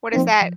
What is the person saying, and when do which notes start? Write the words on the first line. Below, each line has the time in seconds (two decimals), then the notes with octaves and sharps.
what is that?
0.13 F3 A#3 C4 D#4
0.42 F3